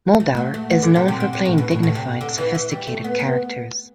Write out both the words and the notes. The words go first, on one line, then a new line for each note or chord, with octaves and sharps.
Muldaur is known for playing "dignified, sophisticated characters".
A3
F#3
A3
B3
D3
C3
C3
D3
C3
A2
B2
A2
A2
C3
D3
E3
E3
G3
A3
B3
B3